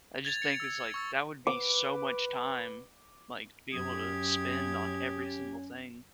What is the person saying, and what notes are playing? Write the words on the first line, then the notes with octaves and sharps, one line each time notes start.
I just think it's like that would be, so much time, like, to be able to spend on every single thing
G#6 A6 F7
C#7
E6 G#6
C#6 E6 A6
B4 D6
F#2 C#4 G4 D#6 G#6